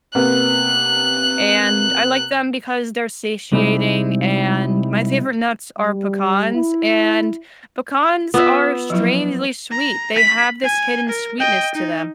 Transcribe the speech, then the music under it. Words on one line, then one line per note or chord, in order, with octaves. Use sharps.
and I like them because they're satiating, and my favorite nuts are pecans, and pecans are strangely sweet, they have this hidden sweetness to them.
C3 A#3 B3 F#6
C3 G3 G#3 C4 D#4 E4
G3
E4
B3 F4 E5
F3 F#3 E4
A#5
B5 B6
G#5
A#4
D#5 G5
D#4